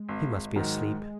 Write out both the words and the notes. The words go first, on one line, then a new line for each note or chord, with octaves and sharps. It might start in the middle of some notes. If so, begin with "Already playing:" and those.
He must be asleep.
Already playing: G#3
G#1
G#2 D#3 F#3